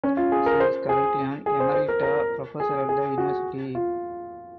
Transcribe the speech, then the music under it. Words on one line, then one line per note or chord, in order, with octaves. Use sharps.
She is currently an emerita professor at the university.
C#4
F4
G#4
A#4
C5
G#4
G#4
C5
C5
A#4
A#4
G#4
G#4
F#4
F4